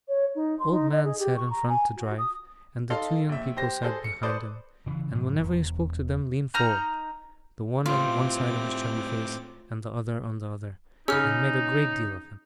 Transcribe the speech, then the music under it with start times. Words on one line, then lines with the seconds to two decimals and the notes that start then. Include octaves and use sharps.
The old man sat in front to drive, and the two young people sat behind him, and whenever he spoke to them leaned forward, the one on one side of his chubby face and the other on the other, and made a great deal of him.
0.08 C#5
0.35 D#4
0.59 C6
0.71 D#4
0.92 D#5
1.04 G#4
1.19 G4
1.36 C#6
1.50 A#5
1.69 G#5
1.96 F#4
2.18 D#6
2.90 D#4 A4 F5 C6
3.29 A#1 E5
3.57 G4 C5 A#6
3.83 G#4 A4 C5
4.04 C#7
4.23 A4 B4 C5 D5 D#6
4.86 C#3 E3
5.13 G#2 C#3 F3 F#3
5.39 E1 E2
6.54 D#4 A#5 F6 G6
7.86 A2 G3 C4 F4 D6
11.08 C#3 C#4 D#4 G#4 E6 F6